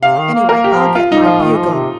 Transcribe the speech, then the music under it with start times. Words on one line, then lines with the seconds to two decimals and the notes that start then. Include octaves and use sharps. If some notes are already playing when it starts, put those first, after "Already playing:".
Anyway, I'll get my bugle.
0.02 C3 F5
0.18 D#3
0.34 A#3
0.49 A#3 A#4
0.64 G4
0.73 F3
0.95 F4
1.12 D#4
1.18 F3
1.26 F4
1.42 D#3 F4
1.57 F3
1.73 C3